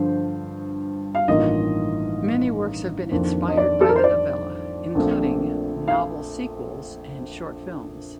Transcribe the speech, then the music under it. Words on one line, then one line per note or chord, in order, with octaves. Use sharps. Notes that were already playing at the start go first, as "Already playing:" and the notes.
Many works have been inspired by the novella, including novel sequels and short films.
Already playing: G2 D3 F3 C5
F5
A1 G2 D#3 A#3 F4 D#5
F2 D#3 A#3 D4 F4
D#5
D5
A4
A#4
C5
D5
A#1 A#2 A3 C4
F5